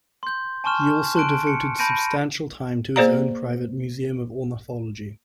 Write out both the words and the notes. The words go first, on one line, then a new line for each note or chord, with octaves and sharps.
He also devoted substantial time to his own private museum of ornithology.
C6 G6
G#5 A5 C6 C#6 F6 E7
A5 C6 F#6 D7
C#7
A5 B5 G6 A#6 D7 D#7
A#3 G#4 C5 D5 F5 A#5